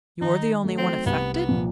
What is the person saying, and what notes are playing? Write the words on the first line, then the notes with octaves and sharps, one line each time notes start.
'You are the only one affected?'
D#3 D#4
F#3 A3
C4
C2 B3
B3
A#2 F3